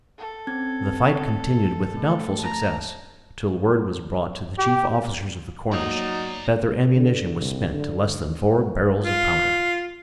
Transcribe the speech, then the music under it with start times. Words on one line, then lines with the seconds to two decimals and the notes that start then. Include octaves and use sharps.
The fight continued with doubtful success, till word was brought to the chief officers of the Cornish, that their ammunition was spent to less than four barrels of powder.
0.18 A4
0.47 C4 C#4 G#6
1.97 A3
2.40 A5 A#5
4.58 G4
5.72 F#3 A#3 D#4 D5 A#5
6.95 D3
7.40 C2
7.73 D3
9.03 F4